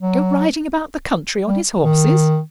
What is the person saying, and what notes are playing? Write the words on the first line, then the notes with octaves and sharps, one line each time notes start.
Go riding about the country on his horses!
F#3
G3
D#3